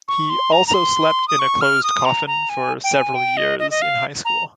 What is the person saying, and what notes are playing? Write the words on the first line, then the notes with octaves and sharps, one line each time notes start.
He also slept in a closed coffin for several years in high school.
C#6
C6
A#5
A#5
C6
D#6
C#6
F6
D#6
A#5
A#5
G#5
G5
G#5
G5
D#5
D#5
D#5
F5
A#5